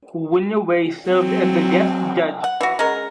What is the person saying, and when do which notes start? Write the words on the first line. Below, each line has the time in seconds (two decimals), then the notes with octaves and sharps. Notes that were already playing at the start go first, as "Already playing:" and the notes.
William Wei served as the guest judge.
1.09 F#3 C4
2.44 F#5
2.61 E3 F#4
2.79 G#3 C#4 A#4